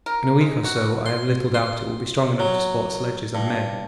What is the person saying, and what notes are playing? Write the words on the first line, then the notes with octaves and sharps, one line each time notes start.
In a week or so I have little doubt it will be strong enough to support sledges and men.
A#4
G#3
F#4
C6
C6
F#3
G2